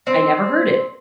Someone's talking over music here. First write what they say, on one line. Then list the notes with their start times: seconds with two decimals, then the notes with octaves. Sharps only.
"I never heard it."
0.07 C4